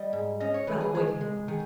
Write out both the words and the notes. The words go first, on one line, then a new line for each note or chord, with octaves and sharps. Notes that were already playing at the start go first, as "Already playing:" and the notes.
Ralph waited a moment.
Already playing: G3 D#5
G#2
C#4 D#5
C#5
D#3 B4
G#4
G#3 G#4
G#3
D#3 G#4